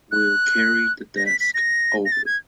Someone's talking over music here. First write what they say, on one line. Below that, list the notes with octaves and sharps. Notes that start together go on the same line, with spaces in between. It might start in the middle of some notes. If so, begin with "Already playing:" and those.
We'll carry the desk over.
F#6
A#6
B6
B6
A#6
A#6
A6
G#6